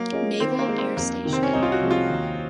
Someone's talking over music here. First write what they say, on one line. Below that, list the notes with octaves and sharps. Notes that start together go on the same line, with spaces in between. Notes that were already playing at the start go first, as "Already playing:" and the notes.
Naval Air Station.
Already playing: F#3 A#3
C#4 F4 G#4 D#5
D#3 C4
A#3
G#3 D#4
C4
F2 A#3
C3 D#3
C4
C#4
C2 D#4
F4
F#4
C3 F3 G#3
F4
D#2